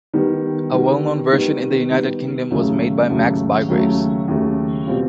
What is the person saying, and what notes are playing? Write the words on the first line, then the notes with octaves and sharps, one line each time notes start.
A well-known version in the United Kingdom was made by Max Bygraves.
D#3 G3 B3
D#3 G3 B3
D#3 G3 B3
D#3 G3 B3
D#2 C#3 F#3 A3
D#2 C#3 F#3 A3
D#2 C#3 F#3 A3
D#2 C#3 F#3 A3
B2 G3 C4 F4